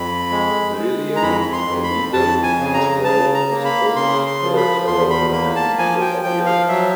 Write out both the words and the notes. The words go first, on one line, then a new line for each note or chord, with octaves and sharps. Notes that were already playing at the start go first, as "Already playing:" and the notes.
Lilium candidum was grown as ponds for its aroma and beautiful appearance.
Already playing: F2 B5
G#3
G#3
A#5
F2 B5
B5
C6
F2
B5
F2 A5
G#5
C#3
A#5
C#3 A5
A#5
A#3
B5
C#3 C6
C6
F3
B5
E2 C6
B5
A#3 B5
A5
F3 G#5
G5
F3 G5
F5
F#3 E5